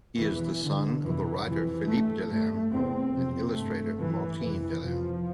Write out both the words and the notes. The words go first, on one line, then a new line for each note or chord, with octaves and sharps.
He is the son of the writer Philippe Delerm and illustrator Martine Delerm.
E2 B2 E3
G2 D3
F2 C3 E3
F2 C3 E3
G2 A3
G2 A3
E2 C3 C4
F2 C3 C4
G2 A3
G2 E3
F2 C3 E3
F2 C3 F3